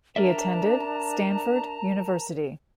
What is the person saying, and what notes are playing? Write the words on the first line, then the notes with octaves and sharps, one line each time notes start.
He attended Stanford University.
D4 A#4 D5 E5 A5 A#5